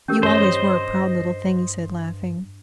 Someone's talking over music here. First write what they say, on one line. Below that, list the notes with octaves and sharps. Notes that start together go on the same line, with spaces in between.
"You always were a proud little thing," he said laughing.
E3 C#4 G4 A#4
G2 C5 C#5 D#5